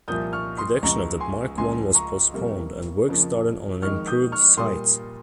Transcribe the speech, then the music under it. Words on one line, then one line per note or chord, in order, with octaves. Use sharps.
Production of the Mark One was postponed and work started on an improved sight.
C2 A#2 F3 A#3 D#6 G6
C#6 F6
C6 D#6
C#2 C#3 F3 G#3 A#5 C#6
G#5 C6
C#2 C#3 F3 G#5 C6
A#5 C#6
F2 C3 G3 A#3
F2 C#3 F3 A#3
F2 D#3 G#3 C#6 F6
D#6 G6
C#6 F6
A#2 G3 A#3 C6 D#6